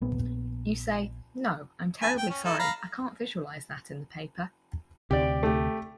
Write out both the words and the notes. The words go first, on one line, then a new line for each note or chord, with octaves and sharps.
You say, 'No, I'm terribly sorry, I can't visualise that in the paper.
A#1 B3
B4 G#5 A5
G5
C#4
D#4 E4 A4
F5 A#5 B5
D2 C3 G4 D5
A3 G4